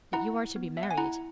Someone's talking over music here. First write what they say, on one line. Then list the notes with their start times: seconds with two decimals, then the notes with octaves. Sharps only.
'That you are to be married.
0.13 E4 F#5 A#5
0.56 B3
0.77 E5
0.83 F#5
0.91 G#5
0.98 E4 F#5 A#5